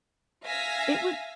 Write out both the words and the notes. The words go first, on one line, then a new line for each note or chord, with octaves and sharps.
it would
E5 F5 G#5 A#6 B6